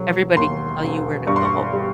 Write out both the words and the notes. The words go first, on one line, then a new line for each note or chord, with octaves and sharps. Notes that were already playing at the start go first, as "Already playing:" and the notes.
everybody will tell you where to go,
Already playing: E1 F#3
D#2 C6
E1
G2 C#6
C6
C#6
G3